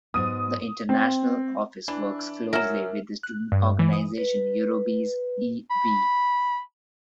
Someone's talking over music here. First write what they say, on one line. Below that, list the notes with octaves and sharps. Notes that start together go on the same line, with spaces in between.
The international office works closely with the student organization Eurobiz e.V.
G#2 F#3 B3 D#6 D#7
C4
E3 D4
F#3 C#4 A#4 E5 E7
F#6
G2
E3
D#6
B4
B5